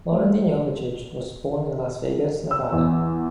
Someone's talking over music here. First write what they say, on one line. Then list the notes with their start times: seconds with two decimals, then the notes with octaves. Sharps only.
Loren Dean Jovicic was born in Las Vegas, Nevada.
0.11 A3
2.51 E6
2.72 E2